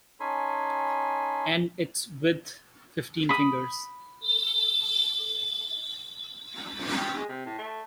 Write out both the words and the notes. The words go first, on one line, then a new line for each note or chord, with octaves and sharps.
And its width: fifteen fingers.
C#4 D#4 A4 G#5 B5 C6
B5 D#6
F2
G4
G#3
C3
A2
A3